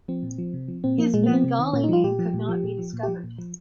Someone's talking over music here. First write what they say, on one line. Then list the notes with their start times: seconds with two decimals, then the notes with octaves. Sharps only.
His Bengali name could not be discovered.
0.08 F3 C4
0.23 A#2
0.38 F3
0.54 C3
0.68 F3
0.84 A#2 C4
0.98 F3 A#3
1.14 A#2 G#3
1.23 A#3
1.29 F3 C4
1.44 C3
1.59 D#3
1.73 A#2 C#4
1.84 D#4
1.88 F3 F4
2.04 A#2 G4
2.19 F3
2.34 A#2
2.49 F3
2.64 A#2
2.78 F3
2.93 A#2
3.03 G4
3.08 F3
3.24 A#2
3.39 F3